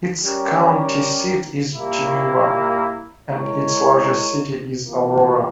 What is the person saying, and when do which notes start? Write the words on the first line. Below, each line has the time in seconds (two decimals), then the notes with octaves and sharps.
Its county seat is Geneva, and its largest city is Aurora.
0.22 G3 C#4 G4 A#4 C#5
1.74 A#2 G3 A#3 E4
3.27 G#3 E4 A#4 C#5
4.80 C3 E3 A#3 F4